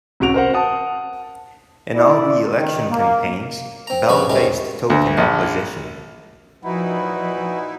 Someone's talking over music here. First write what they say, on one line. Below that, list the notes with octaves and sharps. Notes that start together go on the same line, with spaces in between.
In all re-election campaigns, Bell faced token opposition.
A1 C3 F#4 D7 F7
A#4 C5 F#5
F#5 A5 D#6
E4 D5
D#3
A#3
C4 A#5
A#1 G2 C#3 C#4 F#4 B4
D#2 C3 D#3 G#3 C#4
D2
A#1
A#2 F3 D#4 E4 F#4 B4